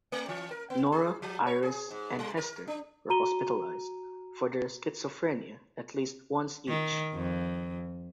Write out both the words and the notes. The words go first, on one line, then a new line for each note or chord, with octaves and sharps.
Nora, Iris, and Hester were hospitalized for their schizophrenia at least once each.
A3
E3
A#4
B3
G#4
F3
C#5
G#4
G#2
G3
A#4
D4
F#4 A#5 D#7 G7
D#3
F2